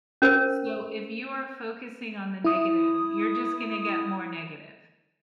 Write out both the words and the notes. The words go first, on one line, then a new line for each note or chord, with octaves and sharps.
So, if you are focusing on the negative, you're just gonna get more negative.
C#4 A#4 C5
E4 D#6